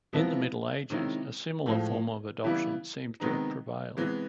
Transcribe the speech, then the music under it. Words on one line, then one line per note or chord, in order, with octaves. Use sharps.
In the Middle Ages a similar form of adoption seems to have prevailed.
C3 F3 G#3 B3 E4
C3 D#3 G#3 C#4 E4
A2 F3 G#3
C#3 E3 G3 B3 E4
C3 D#3 G#3 B3 D#4
C3 E3 G#3 B3